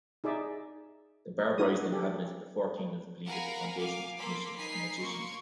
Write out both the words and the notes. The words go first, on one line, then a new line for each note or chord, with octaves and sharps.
The barbarized inhabitants of the four kingdoms believe that the Foundation's technicians are magicians.
D#4 G#4 D5 E5
D4 E4 F#4 A#4 D#6
C#4 D4 G4 A4
A#4 F5 F#5 G#5 A#5 B5
F5 G#5 D6
A#3 A4 B5 C6 D6
D#4 A#4 G#5 B5 B6 C7
A#3 C6 C#6